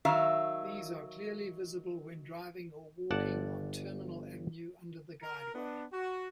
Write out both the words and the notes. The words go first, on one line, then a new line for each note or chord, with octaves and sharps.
These are clearly visible when driving or walking on Terminal Avenue under the guideway.
D#3 F#3 E5 F5
G1 D5 F#5 A5
A#4
B3 D4
F#4